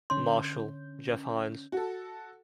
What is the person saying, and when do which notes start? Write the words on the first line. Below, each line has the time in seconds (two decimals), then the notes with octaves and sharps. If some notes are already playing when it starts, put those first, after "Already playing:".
Marshall: Jeff Hines.
0.10 D3 C#4 C6 G6
1.72 F#4 A4